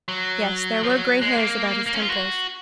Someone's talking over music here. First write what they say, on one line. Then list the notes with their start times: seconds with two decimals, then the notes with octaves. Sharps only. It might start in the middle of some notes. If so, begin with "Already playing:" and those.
Yes, there were gray hairs about his temples.
0.08 F#3
0.83 F3
0.89 F#3
1.22 G#3
1.38 A#3
1.86 A#3
1.94 C#4
2.02 F4
2.10 F#4